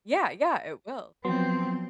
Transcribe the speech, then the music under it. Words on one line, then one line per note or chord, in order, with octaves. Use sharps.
Yeah, yeah, it will.
F3 F#3 B3 C4 C6